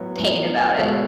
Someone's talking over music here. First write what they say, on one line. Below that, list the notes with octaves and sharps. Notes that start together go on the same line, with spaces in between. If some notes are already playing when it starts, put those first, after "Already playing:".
pain about it.
Already playing: A2 F#3 B3 C#5
A2 F#3 B3
B2 G#3 B3 A4 C#5